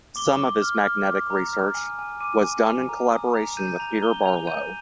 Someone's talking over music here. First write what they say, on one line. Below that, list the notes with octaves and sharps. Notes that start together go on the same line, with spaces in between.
Some of his magnetic research was done in collaboration with Peter Barlow.
D6 G7
D6
F6
F6
D6
A#5
F6
G#5
G#5
D6 D#7
G#5
G#5
A#5
D#6
A#5
G6 D#7
A#5 F7
A#5 G7
G#5 F7
G6 D#7